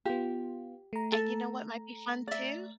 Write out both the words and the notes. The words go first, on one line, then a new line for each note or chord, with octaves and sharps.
And you know what might be fun too?
B3 F4 G4
A3 A#5
A4
D5 E5